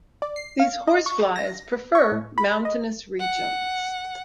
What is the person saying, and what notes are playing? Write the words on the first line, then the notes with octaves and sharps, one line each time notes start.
These horse flies prefer mountainous regions.
D5
C7
F5
D#5
C#6
A#6
C#6
A2
B5
D#5
F#5